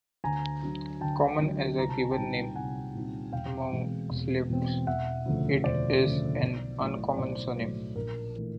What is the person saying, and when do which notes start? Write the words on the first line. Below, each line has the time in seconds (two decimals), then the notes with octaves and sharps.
Common as a given name among Slavs, it is an uncommon surname.
0.24 D2 G#5 A#5
0.62 D3 F#3
1.01 D2 G5 A5
1.40 D3 F#3
1.78 C2 A#5
1.89 A5
2.01 G#5
2.11 G5 A5
2.17 A#2 G3 C4 D#4
2.56 C2 F#5 G#5
2.94 A#2 G3 C4 D#4
3.32 E1 F5 G5
3.71 E2 B2 G#3 C4
4.10 E1
4.49 E2 B2 G#3 C4
4.87 E1 E5 F#5
5.26 D2 C#3 F3 A3
5.64 E1 C5 D5
6.03 D2 C#3 F3 A3
6.41 B1
6.80 A2 F#3 A3
7.18 B1 C5 D5
7.57 A2 F#3 A3
7.96 A#1 A#4
8.36 E3 A3